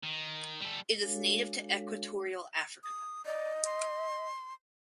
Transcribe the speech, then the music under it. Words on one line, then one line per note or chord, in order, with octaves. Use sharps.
It is native to equatorial Africa.
D#3
G3 A4
G#3 D4 F#4 A4 C#5 F5
D#6
D5 D#5
C6